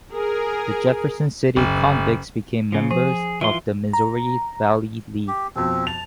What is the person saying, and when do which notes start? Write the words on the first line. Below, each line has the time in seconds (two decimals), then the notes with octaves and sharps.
The Jefferson City Convicts became members of the Missouri Valley League.
0.13 G#4 A#4
1.56 F#1
2.72 C#3 F3
2.91 F3 G#4
3.41 E3 F4 E5 C6
3.93 A#5
5.27 G4
5.56 F2 B2 C4
5.87 A5 F7